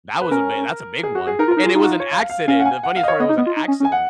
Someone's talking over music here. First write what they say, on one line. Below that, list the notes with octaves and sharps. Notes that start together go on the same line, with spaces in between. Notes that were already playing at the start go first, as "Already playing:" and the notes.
That was a big that's a big one. And it was an accident. The funniest part, it was an accident.
B4
C#4 A#4
G#4
F#4
G#4
D#4 A#4
F4
A#4
D#4
F4 G#4
D#4 F4
F#4
F4
C#5
F5
F5
C#4 F5
F#5
G#5
F#5
F5
D#5
C#5
B3 D#5
D#4
B3
F4
D#4
C#4
C#4
G#5
F#5